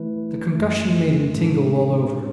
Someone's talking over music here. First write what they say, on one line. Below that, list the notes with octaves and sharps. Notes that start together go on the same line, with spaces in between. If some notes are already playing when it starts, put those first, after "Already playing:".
The concussion made him tingle all over.
Already playing: E3 A3 E4 B4
F#2 E3 A3
A2 G#3 D4 A4